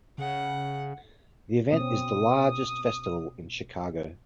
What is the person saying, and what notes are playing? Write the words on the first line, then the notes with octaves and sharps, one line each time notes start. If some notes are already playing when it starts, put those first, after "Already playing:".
The event is the largest festival in Chicago.
C#3 F#5
B2 C4 C#4 D#6